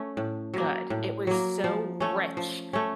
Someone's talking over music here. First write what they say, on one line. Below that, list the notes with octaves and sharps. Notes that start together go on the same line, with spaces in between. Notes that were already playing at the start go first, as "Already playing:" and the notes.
good. It was so rich,
Already playing: A3 C#4
A2
F#3 A#3
A2
F#3 A#3
F3
A3 C#4
F3
A3 C#4